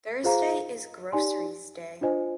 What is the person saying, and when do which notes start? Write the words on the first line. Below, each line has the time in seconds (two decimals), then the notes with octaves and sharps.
Thursday is groceries day.
0.24 F4 G#4 C5 F5 A#5
1.12 D#4 G4 D5 G#5 C6
2.01 D4 F4 C5 D#5 G#5